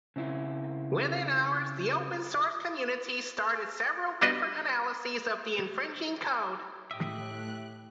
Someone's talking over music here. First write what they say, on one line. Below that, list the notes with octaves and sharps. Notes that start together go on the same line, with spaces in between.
Within hours, the open source community started several different analyses of the infringing code.
C#3 C4 E4
G3 B3 D4 F#4 B4 D#5
A2 G4 D#5 E5 F#6